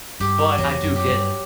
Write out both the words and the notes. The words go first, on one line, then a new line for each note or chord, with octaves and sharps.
But I do get it.
G2 G4
E2 F#3
F#2
G4
G2